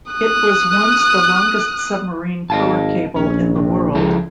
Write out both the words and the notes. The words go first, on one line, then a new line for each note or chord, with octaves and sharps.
It was once the longest submarine power cable in the world.
D#6 F#6
G#1 D#5 F5 A5
A#1 C#4
C3
C#2 F3 E4 A4